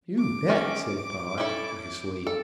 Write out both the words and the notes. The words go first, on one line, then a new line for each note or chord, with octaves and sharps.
"You bet," said Pod, icily.
D6
D#3 G#3 C#4
C#4 E4 A4
A4